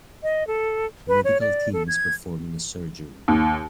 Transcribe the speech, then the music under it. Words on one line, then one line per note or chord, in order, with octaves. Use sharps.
A medical team is performing a surgery.
D#5
A4
B4
C#5
D5
A4
G#6
D#2